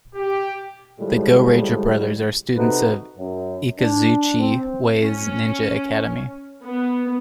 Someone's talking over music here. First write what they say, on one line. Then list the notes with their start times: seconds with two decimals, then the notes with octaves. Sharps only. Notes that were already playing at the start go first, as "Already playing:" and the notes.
The Gouraiger brothers are students of Ikazuchi Way's Ninja Academy.
0.15 G4
0.99 A2 D3 F3 G3 G#3
2.56 C3 D#4 F#4 A4 B4
3.18 F#2
3.79 D4
4.39 C4
5.00 C#4
6.63 B3